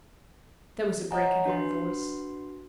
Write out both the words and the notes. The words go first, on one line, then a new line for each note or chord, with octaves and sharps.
There was a break in her voice.
C#5 D#5 F#5 G#5 A#5
D4 F#4 B4 C6